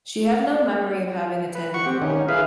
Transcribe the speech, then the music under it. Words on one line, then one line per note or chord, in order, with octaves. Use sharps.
She had no memory of having attended the ball.
B4
F#5 C#6
C4 G4
D#3 C#4
E4 G#4 B4 F5